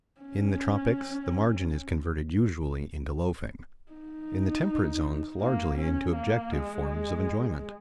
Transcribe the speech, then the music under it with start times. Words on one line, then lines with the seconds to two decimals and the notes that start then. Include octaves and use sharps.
In the tropics the margin is converted usually into loafing, in the temperate zones largely into objective forms of enjoyment.
0.21 C#4
3.92 D#4
5.41 A#3
5.78 C#4
6.15 A#3
6.52 G#3